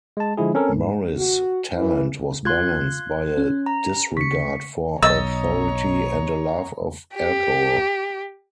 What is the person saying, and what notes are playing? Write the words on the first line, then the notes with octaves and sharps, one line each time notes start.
Morris' talent was balanced by a disregard for authority and a love of alcohol.
G#3 A5
D3 F3 G#3 E4 G#4
C4 C#4 A4 A#4
G#2
F#4
E3
F4 C6 F#6 G#6
C#4
A#5
C#3 C#6 B6 C#7
B1 C#5 D#5 A#5 E6 A6
G4